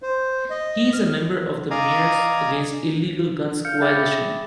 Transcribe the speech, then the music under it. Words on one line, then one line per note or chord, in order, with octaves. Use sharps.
He is a member of the Mayors Against Illegal Guns Coalition.
C5
D#5
F6
D5 D#5 F5 G#5 A#5 D#6
F5 F6 G6 C#7
G#4 E5 G5 B5 D6 A6